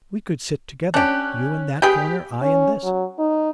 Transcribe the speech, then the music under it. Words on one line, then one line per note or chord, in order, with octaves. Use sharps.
We could sit together, you in that corner, I in this.
C#4 D4 G4 F#6
G4 G#4 B4 G5 B6
C#4
F#3
D#4